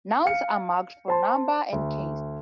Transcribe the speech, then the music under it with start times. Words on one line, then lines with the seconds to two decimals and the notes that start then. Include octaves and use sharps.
Nouns are marked for number and case.
0.26 F5 C#7
1.08 C5 A5 C6
1.73 D2